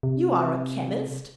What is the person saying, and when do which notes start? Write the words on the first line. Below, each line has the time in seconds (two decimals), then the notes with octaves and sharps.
"You are a chemist?"
0.03 C3